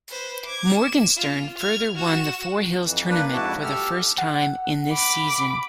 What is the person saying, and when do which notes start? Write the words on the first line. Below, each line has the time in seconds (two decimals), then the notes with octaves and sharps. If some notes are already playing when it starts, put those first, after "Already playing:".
Morgenstern further won the Four Hills Tournament for the first time in this season.
0.10 B4 C5
0.46 D6 G#6
0.75 E7
1.17 F4
1.58 F6 G#6
1.95 F#4 E7
2.83 F2 E3
3.09 A#3 D4 B4
3.33 F2 G#2 E4 F#4 A5
3.63 G4 A4 E6 F6
4.18 F#5
4.91 B5 D6